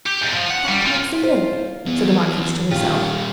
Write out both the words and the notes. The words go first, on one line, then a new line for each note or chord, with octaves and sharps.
"That makes a million," said the marquise to herself.
G4
E2 G#2
F3
F#5
G3
A#2 F4
F4 C5
E2 B3
A#2 D#3 C#4 F4 G4